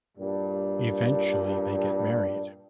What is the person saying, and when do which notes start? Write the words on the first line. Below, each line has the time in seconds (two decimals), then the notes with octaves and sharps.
Eventually they get married.
0.17 G2 A#2 G3